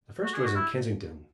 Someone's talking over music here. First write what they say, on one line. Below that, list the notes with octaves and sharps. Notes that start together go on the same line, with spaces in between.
The first was in Kensington.
F#4
G#4
F#4
E4